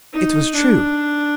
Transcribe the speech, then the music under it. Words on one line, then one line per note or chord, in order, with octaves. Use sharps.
It was true.
D#4
D4